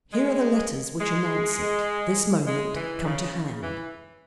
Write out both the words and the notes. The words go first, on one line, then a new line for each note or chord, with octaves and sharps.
Here are the letters which announce it, this moment come to hand.
G#3
G#3
G#3
E3
C#3
C#3
E3